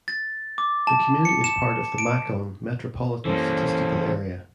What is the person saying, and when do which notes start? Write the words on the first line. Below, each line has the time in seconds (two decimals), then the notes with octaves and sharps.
The community is part of the Macon Metropolitan Statistical Area.
0.08 A6
0.58 D6
0.87 A5
1.25 C#7
1.44 E7
1.98 D7
3.25 E3 A#3 C#4 A4 C5